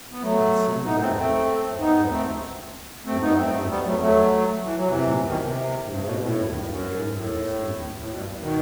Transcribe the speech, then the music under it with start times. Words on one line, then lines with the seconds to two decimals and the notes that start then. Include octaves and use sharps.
But the singularity of the answers were not his blame; indeed, he never imagined anything singular about them.
0.12 B3
0.22 F#3 A3
0.85 B3 D#4
1.01 A3 C4
1.17 A3 C4
1.79 B3 D#4
2.11 A3 C4
3.06 A3 C4
3.22 B3 D#4
3.37 A3 C4
3.69 G3 B3
3.84 F#3 A3
4.00 F#3 A3
4.63 E3
4.76 F#3
4.87 C3 E3
5.26 B2 D#3
5.42 C3
5.89 G2
6.05 B2
6.20 A2
6.52 G2
6.68 F#2
7.15 A2
7.99 A2
8.10 B2
8.42 B2 D#3